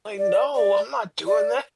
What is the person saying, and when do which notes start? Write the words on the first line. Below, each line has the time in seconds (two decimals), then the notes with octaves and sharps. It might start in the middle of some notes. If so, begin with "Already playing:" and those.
Like, "No, I'm not doing that."
0.19 D5
0.55 D5
1.27 D5